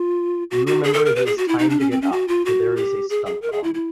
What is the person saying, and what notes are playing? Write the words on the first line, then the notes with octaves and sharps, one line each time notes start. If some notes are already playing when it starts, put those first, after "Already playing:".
You remember it is time to get up, for there is a stunt on.
Already playing: F4
F#4
F#4
G#4
A4
A#4
B4
G#4
F#4
E4
D#4
D4
C#4
C4
C#4
F#4
F4
F#4
G4
G#4
G#4
A#4
G#4
E4
E4